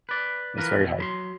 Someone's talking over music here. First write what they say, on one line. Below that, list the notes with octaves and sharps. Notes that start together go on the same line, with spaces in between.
It's very hard.
B4 D5
E3 F3 A#4 B4
B2 E3
F#3 B5 C6